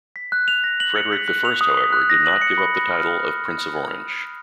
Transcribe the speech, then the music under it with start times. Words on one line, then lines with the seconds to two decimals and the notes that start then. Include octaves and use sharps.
Frederick I, however, did not give up the title of Prince of Orange.
0.16 B6
0.32 F#6
0.48 F7
0.64 A#6
0.80 F#7
0.96 C#7
1.12 B6
1.28 F#6
1.45 F7
1.61 D#6
1.78 B6
1.92 F#6
2.10 A#6
2.26 F#7
2.41 C#7
2.58 B5
2.74 A#6
2.91 F6